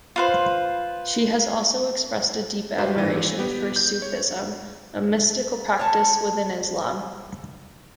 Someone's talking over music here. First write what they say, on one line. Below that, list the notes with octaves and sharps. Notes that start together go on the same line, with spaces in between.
She has also expressed a deep admiration for Sufism, a mystical practice within Islam.
F4 B4 C5
F#4 G4 B4 C5 E5
A#2 D#3 E3
B3 G4
G6
C#5
C#5 A5